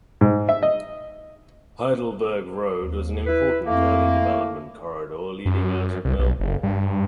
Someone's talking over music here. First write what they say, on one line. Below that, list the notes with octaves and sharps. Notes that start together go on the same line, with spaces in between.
Heidelberg Road was an important early development corridor leading out of Melbourne.
G#2
E5
D#5
D#2
E4 B4
F2 A3 A#3 E4
F#2
C2
B1
F#1
G2